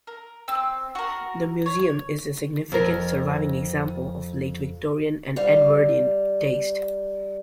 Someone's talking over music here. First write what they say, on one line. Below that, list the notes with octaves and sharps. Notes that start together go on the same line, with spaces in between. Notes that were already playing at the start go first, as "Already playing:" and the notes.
The museum is a significant surviving example of late Victorian and Edwardian taste.
A#4
C4 E6
F#4 A#4
C#5
F2 A#4
G3 F5